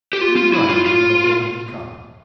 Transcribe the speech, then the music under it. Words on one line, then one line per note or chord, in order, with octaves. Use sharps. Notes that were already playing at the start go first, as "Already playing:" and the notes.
Tommy Ryan brung it over when he come.
G4
F4
F4
E4
F4
F4